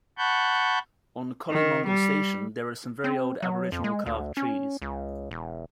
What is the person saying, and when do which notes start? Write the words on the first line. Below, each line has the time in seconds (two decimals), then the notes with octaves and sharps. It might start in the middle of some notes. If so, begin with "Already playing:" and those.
On Collymongle Station there are some very old aboriginal carved trees.
0.18 F#5 A5 B5 C#6 F#6 G6
1.50 D#3
1.86 G3
3.04 C4
3.42 F#3
3.72 F2
3.84 G#3
4.06 D2
4.37 C#4
4.82 C#2
5.31 E1